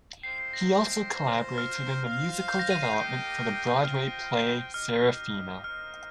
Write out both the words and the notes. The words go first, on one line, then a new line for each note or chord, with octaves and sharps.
He also collaborated in the musical development for the Broadway play, Sarafina!
C4 F4 C5 D#5 G5 C7
C7
A#6
C4 F4 C5
F6
F4 C5 F5
G6
A#6
D#7
C7
A#3 G4 D#5 G5 G6
F6
F4 C5 D#5 G5 F6
D#4 G4 D#5 F6
A#3 D#4 C5 D#5 F6